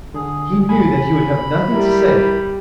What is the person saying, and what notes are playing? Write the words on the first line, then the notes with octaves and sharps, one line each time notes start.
He knew that he would have nothing to say.
D3 G#4
E2 C3 G#5 B5
G3 E4 A#4